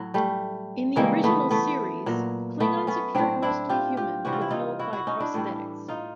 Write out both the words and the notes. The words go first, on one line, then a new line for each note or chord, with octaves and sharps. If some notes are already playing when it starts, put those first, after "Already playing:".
In "The Original Series", Klingons appeared mostly human, with no applied prosthetics.
Already playing: A2 F#3
G3 A3
C#3 E3 G3 G#3 A#3
A3 B3
A3 B3
A#2 F#3
A3 B3
B3 C#4
A2 F#3 C4 D4
D4 E4
F4 G4
F4 G4
C3 E3 G3 F#4
F4
E4
D#4 F4
E4 F#4
E4 F#4
C#4 D#4
D4 E4
A2 E3 G3
D#4 F4